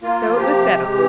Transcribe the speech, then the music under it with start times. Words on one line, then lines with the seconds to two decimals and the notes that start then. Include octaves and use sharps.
So it was settled.
0.02 A#3 F4
0.25 F3
0.36 G4
0.48 C3
0.71 G#3
0.93 E3